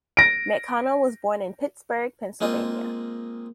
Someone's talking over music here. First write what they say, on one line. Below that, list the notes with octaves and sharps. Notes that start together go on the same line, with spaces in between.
McConnell was born in Pittsburgh, Pennsylvania.
A#6 D7
G#3 A#3 C4 F4 D#5